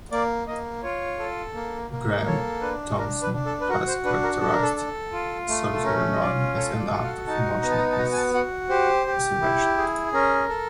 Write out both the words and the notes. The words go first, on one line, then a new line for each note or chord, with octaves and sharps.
Graeme Thomson has characterized "Solitary Man" as an act of emotional preservation.
A#3 D5
A#3 D#5
F4 C#5
A4
A#3
A#3
A4 C#5
D4 B4
D4 A#4
B4
D4
A4
B4
F#4 A#4
C5
D4 B4
A#4
A4
A#4
A4
A4
F4
A3
A4
C#4 A#4
D#5
F4 D5
A4 C#5
D5
F#4
F5
D#4 A5
B3 A#5
A5
A#5
A5
F#4 A#5
G#5
A5
F#4 F#5
G4 C5
G4
E4
G#4
C#4 A#4
A4